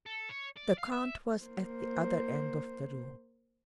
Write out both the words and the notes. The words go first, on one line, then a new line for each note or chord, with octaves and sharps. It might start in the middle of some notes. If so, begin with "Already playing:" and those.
The count was at the other end of the room.
A4
C#5
D5
F5
E5
A#3 C5